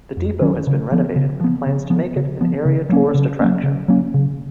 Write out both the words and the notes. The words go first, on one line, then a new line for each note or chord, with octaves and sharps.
The depot has been renovated with plans to make it an area tourist attraction.
F2
D#3 F#3 C#4
C#3
F3 B3
C#3
F3 B3
C#3
F3 B3
C#3
F3 B3
C#3
F#3 A#3 C#4
C#3
F#3 A#3 C#4
C#3
F#3 A#3 C#4
C#3